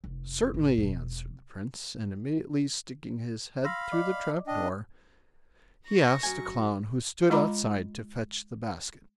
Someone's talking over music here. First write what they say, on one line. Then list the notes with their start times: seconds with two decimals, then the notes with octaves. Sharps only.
"Certainly!" answered the Prince, and immediately sticking his head through the trapdoor, he asked a Clown who stood outside to fetch the basket.
0.04 F1
0.54 A1
0.78 E1 B2
3.65 F5 B5 C6 E6 A#6
3.92 D5 D#5 D6
4.47 D4 D#5 G5
5.86 C#6 A#6
6.23 F#2 G#5
7.30 G#3 F4 D#5 A#5 B5 D6